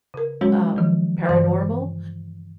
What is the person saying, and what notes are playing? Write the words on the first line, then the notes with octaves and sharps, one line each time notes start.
um, paranormal,
C#3 A#4
F#3 G#3 C#4 F#4 C#5
D#3 F3 F#3
G2 C#3 E3 C5 C6